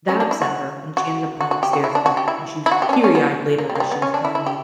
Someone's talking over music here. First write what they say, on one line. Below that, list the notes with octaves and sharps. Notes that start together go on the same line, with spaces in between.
that upset her, and she ended up going upstairs, and and she was teary eyed later while she was telling me
C#4
D4
E4
F#4
F#4
F#4
F#4
G4
F#4
E4
D4
F#4
G4
E4
E4
F#4
G4
C#4
D4
C#4
B3
A#3
G3
A#3
G3
B3
C#4
D4
E4
E4
G4